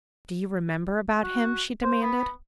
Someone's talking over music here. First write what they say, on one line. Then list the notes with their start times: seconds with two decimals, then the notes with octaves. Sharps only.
"Do you remember about him?" she demanded.
1.23 F#4
1.83 C5
2.02 B3